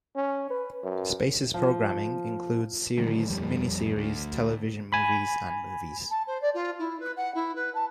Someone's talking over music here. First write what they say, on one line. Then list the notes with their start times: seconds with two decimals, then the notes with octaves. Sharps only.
Space's programming includes series, miniseries, television movies, and movies.
0.15 C#4
0.50 B4
0.83 F#2
1.54 F3
2.98 D3 D#3 F#3 A3
3.30 D#1 F2 G3
3.96 D2
4.93 G#5 B5
6.10 A5
6.27 C5
6.41 D5
6.54 F4
6.79 E4
7.00 B4
7.16 F#5
7.34 E4
7.55 B4
7.74 A5